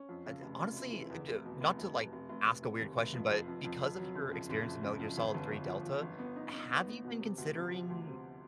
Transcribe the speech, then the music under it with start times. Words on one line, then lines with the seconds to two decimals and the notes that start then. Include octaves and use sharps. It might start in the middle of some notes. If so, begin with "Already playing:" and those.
Uh, d Honestly, uh, d not to, like, ask a weird question, but because of your experience in Metal Gear Solid Three Delta, have you been considering,
Already playing: C#4
0.09 F2
0.26 C#3
0.42 F1
0.59 F1
0.76 F1
0.93 E3
1.10 E2
1.27 F1
1.45 B2
1.61 F1
1.79 F1
1.95 F1
2.13 F1
2.29 F1
2.46 F1
2.62 F1
2.80 D#2
2.97 F1
3.14 F2
3.30 F2
3.48 F2
3.65 F2
3.82 F2
3.98 F#3
4.15 F#1
4.32 F2
4.49 F#1
4.66 F2
4.83 F#1
5.00 F2
5.17 G1
5.34 G1
5.51 G1
5.68 F3
5.85 F3
6.02 G1
6.19 B3
6.36 D#4
6.53 D#4
6.70 B3
6.87 B3
7.04 B2
7.21 C3
7.38 D2
7.55 C3
7.72 F3
7.89 D2
8.06 C3